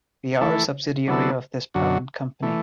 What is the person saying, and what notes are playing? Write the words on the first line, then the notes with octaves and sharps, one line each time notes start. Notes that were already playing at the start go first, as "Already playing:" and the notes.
We are a subsidiary of this parent company.
E3 A3 E4 A4
D3 F#3 B3 E4 A4
F#2 D3 F#3
E3 A3